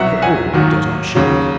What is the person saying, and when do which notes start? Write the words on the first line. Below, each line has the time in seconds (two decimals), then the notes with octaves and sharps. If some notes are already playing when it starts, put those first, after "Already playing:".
For all he does not show it.
Already playing: C2 B2 F#3 E5 F#5
0.22 F#5 G#5
0.53 D#2 D#3 F#3
1.15 D#2 C#3 F#3